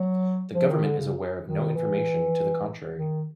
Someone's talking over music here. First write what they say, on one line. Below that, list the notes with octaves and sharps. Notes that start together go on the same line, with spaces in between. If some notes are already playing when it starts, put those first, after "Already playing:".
The government is aware of no information to the contrary.
Already playing: F#3
F3
D#3
D3
C#3
D#3
E3
D#3